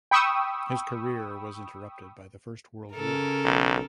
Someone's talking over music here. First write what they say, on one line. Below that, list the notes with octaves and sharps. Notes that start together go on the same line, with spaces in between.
His career was interrupted by the First World War.
G5 B5 C#6 D#6 E6
C#3 A4 A#4
B1